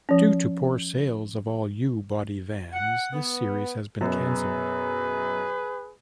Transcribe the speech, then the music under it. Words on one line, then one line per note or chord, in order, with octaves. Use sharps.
Due to poor sales of all U-Body vans, this series has been cancelled.
F3 C#4
F#5
B3
F#2 B2 G#4 B4